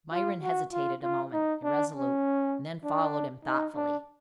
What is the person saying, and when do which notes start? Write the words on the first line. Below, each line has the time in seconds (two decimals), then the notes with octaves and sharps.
Myrin hesitated a moment, irresolute, and then followed him thoughtfully.
0.12 F4
0.43 F#4
0.73 F4
1.03 F4
1.33 D#4
1.64 D4
1.94 C#4
2.84 D4
3.45 D#4
3.75 D4